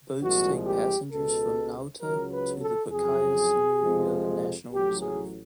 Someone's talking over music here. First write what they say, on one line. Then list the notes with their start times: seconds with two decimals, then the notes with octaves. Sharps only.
Boats take passengers from Nauta to the Pacaya-Samiria National Reserve.
0.21 C2 A#2 F3 G#3 F#4
0.66 G4
1.12 C#2 B2 G#3 A4
2.01 C#2 C#3 F#3 A#4
2.32 B4
2.62 A4
2.91 F2 C#3 F#3 G#4
3.82 F2 C3 F3 G#3
4.72 A1 A2 F#3 G4
5.02 G#4